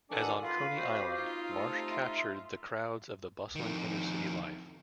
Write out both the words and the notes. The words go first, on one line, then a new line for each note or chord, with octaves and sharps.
As on Coney Island, Marsh captured the crowds of the bustling inner city life.
B2 D#3 D4 A4 D5 F#5 G#5 D6
F4 B4 F5
C4 F#4 G4
D#4 F4
C3 A3 A4
E5 C6
F2 D#3